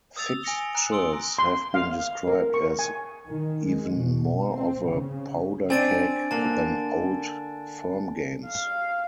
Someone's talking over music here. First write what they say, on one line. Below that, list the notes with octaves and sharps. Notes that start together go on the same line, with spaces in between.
Fixtures have been described as "even more of a powderkeg than Old Firm games".
D#6 E6 A6 F7
G#5 E6 A#6 C#7 G7
G#5 A#5 F#6
C6 D#6 E6 D7 G7
C6
F5
A#4
C#6
G#5
D#3
G#3
B2
C4
C#3
C4 D4 G#5 A6 D7
D3 A#3 A5
F5